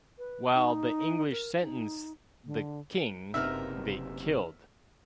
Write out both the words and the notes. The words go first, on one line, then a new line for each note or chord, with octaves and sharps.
While the English sentence The king, they killed.
B4
D#4
A#4
D#4
D3
F#1 C3 B3 D#4 A#4 E5 E6 F6